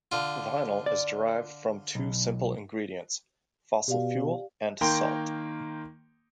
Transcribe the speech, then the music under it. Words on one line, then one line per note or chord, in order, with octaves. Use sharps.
Vinyl is derived from two simple ingredients: fossil fuel and salt.
D3 F4
D5
B1
B2 G4 D5 F5
D#3 A#3 G5 A#5 C6